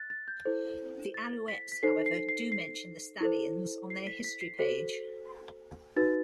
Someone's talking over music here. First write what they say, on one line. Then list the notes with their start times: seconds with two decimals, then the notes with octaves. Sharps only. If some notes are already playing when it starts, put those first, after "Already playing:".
The Alouettes, however, do mention the Stallions on their history page.
Already playing: F#6 A6
0.10 A6
0.28 G6
0.45 E4 A4 C5
1.14 A6
1.48 B6
1.72 B6
1.83 D#4 A4 C5 C7
2.06 C7
2.29 C7
2.52 C7
3.21 E4 A4 C5
3.90 C7
4.07 B6
4.24 B6
4.41 C7
4.59 F#4 A4 C5 B6
5.96 D#4 F#4 B4 A6